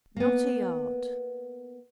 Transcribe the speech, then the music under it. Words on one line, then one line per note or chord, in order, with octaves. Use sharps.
"Not a yard."
A#3 B3